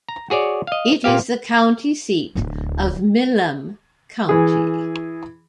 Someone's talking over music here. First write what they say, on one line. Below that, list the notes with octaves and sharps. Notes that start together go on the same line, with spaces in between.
It is the county seat of Milam County.
A#5
F#4 G#4 C#5 D5
D#5 F5
A#2 A#3 G4 F5
D1 D2 D4
E3 G#4